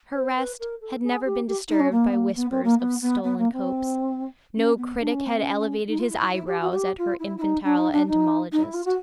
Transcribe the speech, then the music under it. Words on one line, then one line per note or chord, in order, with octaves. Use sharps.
Her rest had never been disturbed by whispers of stolen copes; no critic had elevated his eyebrows at her infantile entomologist.
C5
B4
A#4
A4
G#4
G4
G4
D#4
C#4
A#3
B3
A#3
B3
C4
A#3
B3
B3
B3
A#3
C4
C#4
B3
D4
C#4
C4
C#4
D#4
F4
E4
E4
E4
G4
F#4
F#4
G4
F4
E4
E4
D#4
D4
D#4
D4
D#4
D#4
E4
F4
F#4